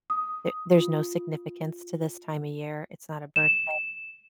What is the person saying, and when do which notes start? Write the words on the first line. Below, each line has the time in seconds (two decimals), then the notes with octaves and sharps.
th there's no significance to this time of year, it's not a birthday,
0.10 D#6
0.78 F4
3.36 E7